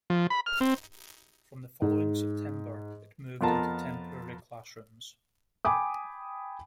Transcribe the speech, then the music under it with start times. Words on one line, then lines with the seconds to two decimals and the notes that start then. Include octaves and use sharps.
From the following September, it moved into temporary class rooms.
0.10 F3
0.30 B5
0.46 F6
0.61 C4
1.82 G#2
3.41 F2 B3 F4 A#4 A5 A#5
5.65 G5 G#5 B5 D6 D#6